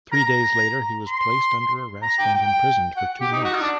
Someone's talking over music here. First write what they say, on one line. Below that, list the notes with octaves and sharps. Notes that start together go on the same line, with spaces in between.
Three days later he was placed under arrest and imprisoned for two months.
A#5
C6
A#5
G5
G5
F#5
G4
D#4
F#4
D#4
D4